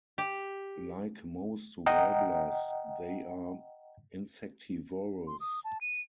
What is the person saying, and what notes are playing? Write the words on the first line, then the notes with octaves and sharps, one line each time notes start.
Like most warblers, they are insectivorous.
G4
D#5 F#5 G5 A#5
C6
D#6
A5
D#7